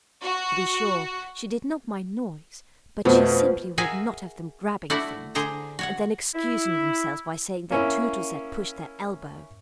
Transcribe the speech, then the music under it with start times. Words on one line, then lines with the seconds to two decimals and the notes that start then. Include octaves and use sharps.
To be sure, she did not mind noise, but she simply would not have them grabbing things, and then excusing themselves by saying that Tootles had pushed their elbow.
0.22 F#4
3.05 F2 B2 F3 A3 B3
3.78 F#4 G#4 A#4 E5 F5 G#5
4.90 A3 D4 E4 F#4 D5 F#5
5.35 D3 G#4 C5 A#5
5.79 F#4 C#5 F#5
6.34 E4
7.71 A#3 C#4 E4